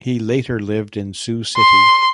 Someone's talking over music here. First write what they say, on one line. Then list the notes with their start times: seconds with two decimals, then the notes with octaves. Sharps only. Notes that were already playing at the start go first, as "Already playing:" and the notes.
He later lived in Sioux City.
1.57 C6